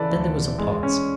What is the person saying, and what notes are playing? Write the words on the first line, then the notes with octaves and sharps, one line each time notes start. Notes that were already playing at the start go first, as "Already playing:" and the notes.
Then there was a pause.
Already playing: C#3 E3 A4 B4 D5
D2
E3
G#3
C#4